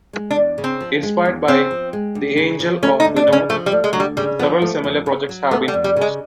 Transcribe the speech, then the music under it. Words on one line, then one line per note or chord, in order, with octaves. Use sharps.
Inspired by the "Angel of the North", several similar projects have been proposed.
G#3
D4
E2
C#3
C4
F3
G#3
E2
C#3 C4
F3
G#3
D2
C#3
F3
A3 C#4
D#4
D2
D4
C#3
C#4
F3 A3
G3
A3
G#3
D2 F#3
G3
C#3 G3
F3 B3
A3
F2
C#3
F#3
A3 B3
G3
F2
G3
C#3 G#3